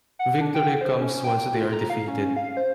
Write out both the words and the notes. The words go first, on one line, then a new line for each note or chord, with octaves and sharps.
Victory comes once they are defeated.
F#5
D4
G5
C5
C#4
G5
F4
A#5
F5
C#4
F5
C5